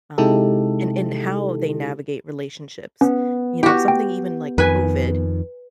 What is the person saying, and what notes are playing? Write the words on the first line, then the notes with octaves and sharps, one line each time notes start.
um, and and how they navigate relationships. You know? Something even like COVID
C3 G#3 D#4 E4 G4 A4
B3 C#4
E4 F#4 G4
G5
F2 D#3 B4 G#5